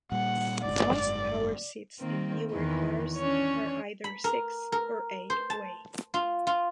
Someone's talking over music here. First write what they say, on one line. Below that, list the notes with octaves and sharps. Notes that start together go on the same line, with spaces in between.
Most power seats in newer cars are either six- or eight-way.
A#2 G3 F#5
F#1 G#2 D5
D#3 A#3 C4
E2 D#3 E3
C#4 D4 C#5
B5
A#4
A#4
C5
A5
F4
F4